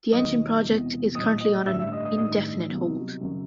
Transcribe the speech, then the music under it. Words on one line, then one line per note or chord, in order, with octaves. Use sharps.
The engine project is currently on an indefinite hold.
E1 D#2 D#3 F#3 D#5 D#6
E1 E2 C3 E3
A#1 A2 F#3 D#5 D#6
D#5 D#6
A1 G2 D3 E5 E6
E5 E6
D#5 D#6
D#5 D#6
A1 G2 D#3 D#5 D#6
C2 B2 F#3
F#2 C#3 F#3